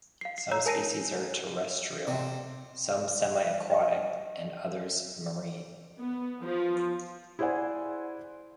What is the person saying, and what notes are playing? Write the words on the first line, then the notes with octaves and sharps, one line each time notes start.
Some species are terrestrial, some semi-aquatic, and others marine.
F5 C7
C7
C#5 A#5 E6 G6 C7 E7
A#4 G#5 A5 A#6 C7 D#7
C3
D#5 E5 C#6
B3
F3
E4 G#4 C5 D5 F#5 G#5